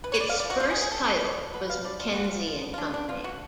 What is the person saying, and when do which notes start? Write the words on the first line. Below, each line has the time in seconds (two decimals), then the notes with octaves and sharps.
Its first title was "McKenzie and Co".
0.04 B4
0.12 C#5
0.20 D5
0.29 B3 F5
0.40 D5
0.45 F3 F#4
0.60 F3 F4
0.71 G#4
0.76 B3
0.81 G#4
0.92 B3 A4
1.07 F3
1.22 F3
1.38 F3
1.54 B3 B4
1.69 B3 F5
1.85 F3 D5
2.00 B3 F4
2.13 B3 F#4
2.24 F4
2.31 F3
2.47 F3
2.62 B3
2.74 F4
2.78 G#3 D4
2.93 B2 D4
3.09 B2 F4
3.24 B2 F#4